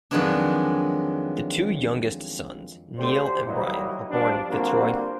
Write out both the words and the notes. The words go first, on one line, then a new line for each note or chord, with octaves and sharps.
The two youngest sons Neil and Brian were born in Fitzroy.
F2 D#3 F#3 G#3 B3 D4
D2 D3 A3 G4 C5
E3 F#3 G3 A#3 D#4 E4
G2 B2 F3 G3 D4
D3 G3 A#3 C4 F4 F#4